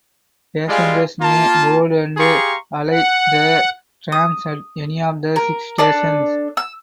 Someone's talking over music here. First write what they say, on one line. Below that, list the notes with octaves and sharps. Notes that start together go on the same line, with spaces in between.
Passengers may board and alight the trams at any of the six stations.
G3 G#3 F4 G#4 D5 F5
A#3 F4 A5
G4 G#4 F5 A#5 C6 C#6
F#5
D#6
A#4
D4 A4 D5
E6